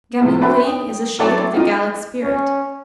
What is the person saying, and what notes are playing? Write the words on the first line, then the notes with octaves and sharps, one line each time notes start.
Gaminerie is a shade of the Gallic spirit.
A2 C3 F3 G#3 A3
D4 F#4 B4 C5 E5 G5
G5 D#6
F#3 C4 E4 A4 C#5 D5
D#4 F4 G4
C#4